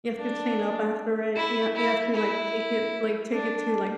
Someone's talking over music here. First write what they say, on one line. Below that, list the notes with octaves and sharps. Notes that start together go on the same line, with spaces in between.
you have to clean up after it. You you have to, like, take it like, take it to, like,
D4
E4
E4
E4
D4